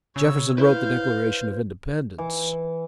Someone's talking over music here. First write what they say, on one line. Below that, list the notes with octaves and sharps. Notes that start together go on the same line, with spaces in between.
Jefferson wrote the Declaration of Independence.
C#3 C#5 E6
E4 B4 C5 F5 G6
E3